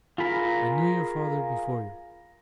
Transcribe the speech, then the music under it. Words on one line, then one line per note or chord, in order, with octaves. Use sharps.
I knew your father before you.
F4 G#4 A#4 B5